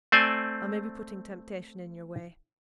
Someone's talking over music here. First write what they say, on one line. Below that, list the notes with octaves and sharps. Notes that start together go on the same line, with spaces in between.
I may be putting temptation in your way.
A3 C4 C5 D5 G#5